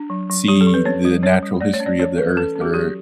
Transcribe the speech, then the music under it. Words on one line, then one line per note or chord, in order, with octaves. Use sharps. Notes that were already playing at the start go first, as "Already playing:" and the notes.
see the natural history of the earth or,
Already playing: D4
F#3
F#3
F#3 G4
A4
F#3
B4
C#4 C#5
G3
C#4 C#5
G3
A3 D5
C#5
C#4
D5
C#4 C#5
E3 B4
C#4 A4
C#4
F#4
F#3 G4